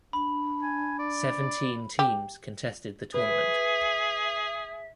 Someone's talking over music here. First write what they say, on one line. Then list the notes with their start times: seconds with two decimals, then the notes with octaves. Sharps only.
Seventeen teams contested the tournament.
0.13 D4 B5
0.63 G#5
0.99 D5
1.99 G4
3.14 G#4 B4 E5